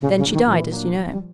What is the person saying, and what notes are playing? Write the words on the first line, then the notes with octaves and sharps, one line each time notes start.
Then she died, as you know.
A#2 C#3
C#3
F#3 A#3 D4
D#3
A#2 E3
F#3 A#3 D4
F3
G3